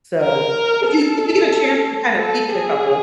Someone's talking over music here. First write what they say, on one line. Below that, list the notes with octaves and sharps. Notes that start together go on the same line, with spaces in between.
So, if you, if you get a chance to kind of peek at a couple.
A#4
A4
A4
G#4